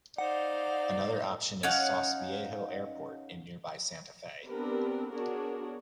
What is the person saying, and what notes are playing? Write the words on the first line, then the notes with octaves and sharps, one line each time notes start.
Another option is Sauce Viejo Airport in nearby Santa Fe.
D#4 C5 D5 F5 F#5
C#4 D#4 F5 F#5
B3 C4 D4 G4 A#4 B4
B3 D4 F#4 G#4 A#4 C#5